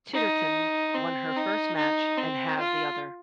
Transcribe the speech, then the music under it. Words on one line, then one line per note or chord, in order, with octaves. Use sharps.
Titterton won her first match and halved the other.
D#4
C4
D#4
D#4
C4
F4